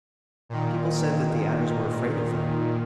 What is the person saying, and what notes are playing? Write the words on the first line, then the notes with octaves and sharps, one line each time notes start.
People said that the Adders were afraid of them.
A#2 D#3